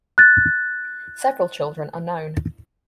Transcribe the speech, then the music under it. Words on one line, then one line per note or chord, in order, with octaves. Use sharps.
Several children are known.
F#6 A6